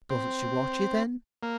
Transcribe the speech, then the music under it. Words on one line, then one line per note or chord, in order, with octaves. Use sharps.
"Doesn't she watch you, then?"
C4
A#3